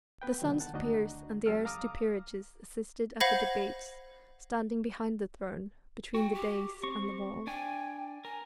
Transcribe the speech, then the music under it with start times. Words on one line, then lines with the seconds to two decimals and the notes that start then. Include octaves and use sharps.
The sons of peers and the heirs to peerages assisted at the debates, standing behind the throne, between the dais and the wall.
0.22 B3 B4 G5
0.42 B2 D3 D#3 F#3
0.60 F#5 A5
0.73 D2 D4 D#4 F#4 D#5 A#5
1.46 F2 G3 A4 E6 F6
1.65 F5 A#5 D6 D#6 F6
3.20 C5 F5 F#5 B5 G#6 A#6
6.15 F#4 G5
6.35 G4
6.83 C4 C#6
7.47 D4 G5 G#5
8.25 A#4 G#5